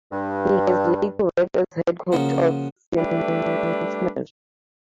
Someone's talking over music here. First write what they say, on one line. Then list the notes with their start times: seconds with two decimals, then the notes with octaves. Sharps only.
He has later worked as head coach of Finnsnes.
0.12 G2
2.12 C#3 F3 A#3 F#4
2.97 G3 A3 D4 B4 D5 E5